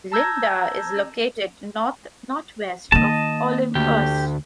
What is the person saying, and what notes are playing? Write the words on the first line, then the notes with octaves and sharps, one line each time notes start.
Linda is located north-northwest of Olivehurst.
A5 A#5 E6 G6 G#6 A#6
D#3 A#3 D#5 A5
D2 G4